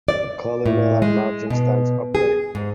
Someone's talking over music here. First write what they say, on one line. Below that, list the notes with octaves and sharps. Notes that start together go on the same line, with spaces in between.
The columellar margin stands upright.
D5
A2
G#3
B2
G#4
G#2